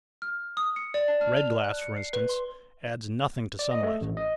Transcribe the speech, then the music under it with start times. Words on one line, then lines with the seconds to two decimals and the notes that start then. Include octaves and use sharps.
Red glass for instance adds nothing to sunlight.
0.22 F6
0.57 D#6
0.76 C#7
0.94 D5
1.08 A5
1.21 F6
1.36 F7
1.64 F#6
1.81 C#7
1.97 C7
2.13 B4
2.29 C6
3.59 D5
3.71 D#5
3.83 A3
4.01 A1
4.17 D#5